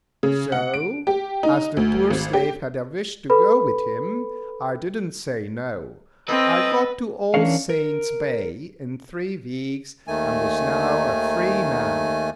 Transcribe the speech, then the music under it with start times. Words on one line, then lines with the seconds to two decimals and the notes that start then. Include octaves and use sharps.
So, as the poor slave had a wish to go with him, I did not say "no." I got to All Saints' Bay in three weeks, and was now a free man.
0.23 C#3
0.52 F#5
0.74 D7
1.07 G4
1.43 D#4
1.77 D2
2.10 G#1
2.33 G4
3.30 A4 B4 B5
6.29 C4 A4 B4 D#5
7.34 E3 C#4 D4 A#4 C#5 F5
7.69 A#4
10.07 D#2 D#3 A3 G#5